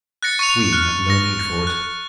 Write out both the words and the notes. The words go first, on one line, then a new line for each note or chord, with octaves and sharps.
We have no need for it.
F#6 A6 A#6 C#7
C#6 F#6 C#7 D#7 F7
F6 F#6
A#6
F#6